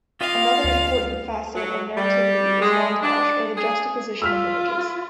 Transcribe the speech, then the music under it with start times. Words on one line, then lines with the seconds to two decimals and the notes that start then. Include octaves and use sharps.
Another important facet of narrativity is montage, or the juxtaposition of images.
0.21 F4 G4 D#5 F5
0.64 D2
1.56 F#3
1.97 G3
2.62 G#3
3.03 D4
3.57 G#4
4.22 F4 E6 F6 B6